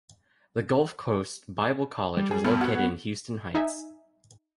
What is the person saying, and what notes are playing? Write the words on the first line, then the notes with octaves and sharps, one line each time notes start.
The Gulf Coast Bible College was located in the Houston Heights.
G3
G#4
D2 G2 B3
F#4 F#5 G#6
D#4 E5 G#5